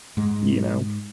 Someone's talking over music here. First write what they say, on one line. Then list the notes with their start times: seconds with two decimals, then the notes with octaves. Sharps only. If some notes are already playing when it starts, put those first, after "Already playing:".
you know.
0.17 G#2 G#3